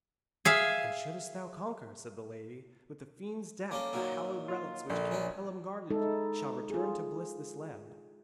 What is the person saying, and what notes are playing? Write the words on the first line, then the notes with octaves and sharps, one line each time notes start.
'And shouldst thou conquer,' said the lady, 'with the fiend's death the hallowed relics which King Pellam guarded shall return to bless this land.
G#4 E5 F5
A#3 C#4 A4 D6
A#2 D#3 F#3
F4
A#1 D3
C#4 D4
G#3 D#4 E4 A4
F4 G#4